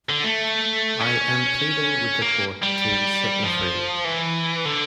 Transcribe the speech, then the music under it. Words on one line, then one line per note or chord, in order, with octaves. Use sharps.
I am pleading with the court to set me free.
D3
A3
C#4
A#3
G3
F3
E3
D3